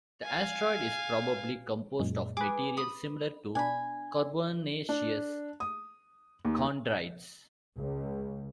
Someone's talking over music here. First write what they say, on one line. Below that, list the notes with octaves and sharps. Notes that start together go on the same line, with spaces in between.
The asteroid is probably composed of material similar to carbonaceous chondrites.
F5 G#5
F#2 A#2 G#3
G#4 B4 D6
B5 D#6
B2 D4 G#5 B5
D4
D#6
D#2
C#2